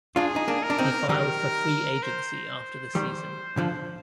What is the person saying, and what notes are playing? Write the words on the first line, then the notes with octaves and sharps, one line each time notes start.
He filed for free agency after the season.
D4 F4 G#4
D#4
A#3 D4
A#4
D4
C4 D#4
D#3 G3 A#4
C5
D#3 G3
D3 F3